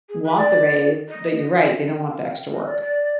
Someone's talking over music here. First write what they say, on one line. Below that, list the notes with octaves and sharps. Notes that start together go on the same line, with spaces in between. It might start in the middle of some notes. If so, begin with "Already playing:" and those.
want the raise, but you're right, they don't want the extra work.
G#4
B4
D5
D#5
D#5
G5
F5
F5
G5
F5
D#5
D5
D5